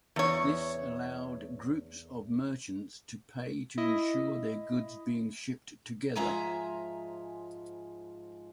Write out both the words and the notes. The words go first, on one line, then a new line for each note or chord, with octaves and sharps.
This allowed groups of merchants to pay to insure their goods being shipped together.
E2 C#5
E4 D#5
G#2 F3 G#3 E5 G#5 A#5